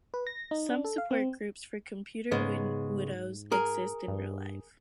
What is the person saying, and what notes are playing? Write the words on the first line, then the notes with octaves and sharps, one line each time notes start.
Some support groups for computer widows exist in real life.
B4
A#6
D#4
D4
A4
F5
C4
G#2 C#3 G#3 B3
G#4 A#4
G2